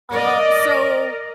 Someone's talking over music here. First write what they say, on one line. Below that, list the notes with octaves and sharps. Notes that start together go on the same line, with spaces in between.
Uh, so
A#4 D5 D#5